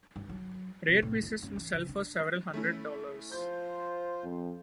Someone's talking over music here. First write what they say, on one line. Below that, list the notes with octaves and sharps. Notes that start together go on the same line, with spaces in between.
Rare pieces may sell for several hundred dollars.
G2
F#3
C3
A2
F2
F#2
E3
C#3
D4
A3 C#4 E4
F3 F4 C5 G6
F2